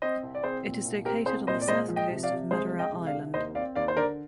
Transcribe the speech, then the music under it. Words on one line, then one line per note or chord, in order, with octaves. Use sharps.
It is located on the south coast of Madura Island.
C4 C5 D#5
C2
D5
C4 G#4 C5
A#2
C2
C4 G4 A#4
C2 G#4 C5
A#2 C5 D#5
D5
G#3 C5 D#5
F3
D#5 G5
C3
D5 F5
C3
G#3 G#4 C5
G#3
D#5 G5
C3
D5 F5
C2
D#2 C5 D#5
C4 D5 F5
D#2 D5 F5
C5
D3 A#4 D5